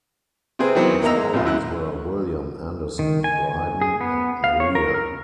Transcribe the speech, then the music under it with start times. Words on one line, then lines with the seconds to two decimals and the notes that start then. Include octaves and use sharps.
His parents were William Anderson Bryden and Maria.
0.59 C3 C4 G#4 B4
0.75 D#3 E3 F#3 B3 C4
1.02 E2 A#3 D#4 A#5 E6
1.16 G#3
1.33 A#1 C3 F4
1.46 F#2 E4 F#6
2.99 D#3
3.24 G#5
3.82 G#4
4.01 B3
4.44 F5
4.60 C#5
4.75 A#4
4.94 F6